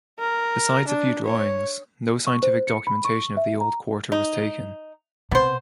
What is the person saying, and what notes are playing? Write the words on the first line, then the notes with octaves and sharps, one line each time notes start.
Besides a few drawings, no scientific documentation of the old quarter was taken.
A#4
D4
C#5
C#6
C5
C#7
B5
C#6
E5
A#5
D#4
C3 B3 C5